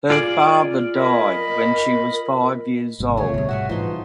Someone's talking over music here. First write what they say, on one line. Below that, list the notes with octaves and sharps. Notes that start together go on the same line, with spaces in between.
Her father died when she was five years old.
F4 G#4 D5
A#4 D#5 B5
G#1 C3 G3 G#3
D2 B2 D3 A3 G#4 C#5
B2 G3
G#2 F#4 E5 F#5 G#5
A#1 E3 F3 D#4 C6